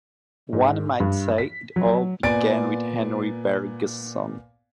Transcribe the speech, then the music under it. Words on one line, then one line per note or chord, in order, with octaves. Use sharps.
One might say it all began with Henri Bergson.
G#2
G2
B6
F#3
A#2 B3 D5 G#5 A6 D7